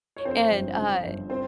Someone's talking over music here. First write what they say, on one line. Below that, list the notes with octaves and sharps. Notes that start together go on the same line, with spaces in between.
and, uh
C#5
F2 C4 C5
G1
C#3
G1
C4 C5